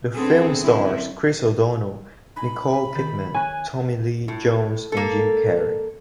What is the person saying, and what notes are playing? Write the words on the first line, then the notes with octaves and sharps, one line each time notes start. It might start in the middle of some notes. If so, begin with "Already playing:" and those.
The film stars Chris O'Donnell, Nicole Kidman, Tommy Lee Jones and Jim Carrey.
D3 B3 C4 G#4 A4
F#2 D3 C4 C#4 E4
D#4 G#5 B5
D#3 G6 A6
C#5 G#5 F#6 B6
A2
A#3 A4